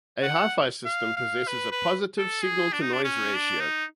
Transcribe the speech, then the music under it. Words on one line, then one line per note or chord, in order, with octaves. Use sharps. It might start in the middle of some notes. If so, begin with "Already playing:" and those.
A hi-fi system possesses a positive signal-to-noise ratio.
F#5
F5
F5
B4
B4
A4
G#4
D4
D#4
D4
C#4
D4
D#4